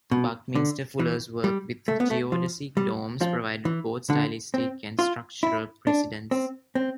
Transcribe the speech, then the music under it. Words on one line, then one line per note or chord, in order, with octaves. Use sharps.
Buckminster Fuller's work with geodesic domes provided both stylistic and structural precedents.
B2
D3
E3
G3
A3
B3
A3
F3
G3
F3
E3
D3
C4
F4
E4
D4
C4
C4